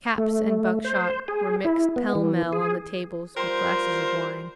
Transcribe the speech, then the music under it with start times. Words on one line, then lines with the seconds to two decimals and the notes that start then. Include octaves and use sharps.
Caps and buckshot were mixed pell-mell on the tables with glasses of wine.
0.18 A3
0.84 C5
1.28 G#4
1.65 E4
1.96 B3
2.15 E3
2.53 G#4
3.36 G3 F4 A#4 C5